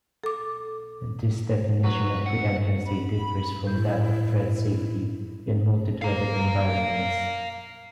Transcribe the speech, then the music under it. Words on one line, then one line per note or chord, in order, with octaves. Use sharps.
This definition of reentrancy differs from that of thread-safety in multi-threaded environments.
A4 D6
F#3 B4
F#5
B5
A2 E4 G6
F5 A#5